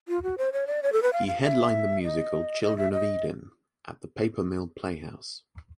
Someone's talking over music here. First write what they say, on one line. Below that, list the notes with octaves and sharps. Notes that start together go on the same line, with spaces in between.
He headlined the musical "Children of Eden" at the Paper Mill Playhouse.
F4
F#4
C5
C#5
D5
C#5
A4
B4
F5
F5
E5
D#5
D#5
E5
D#5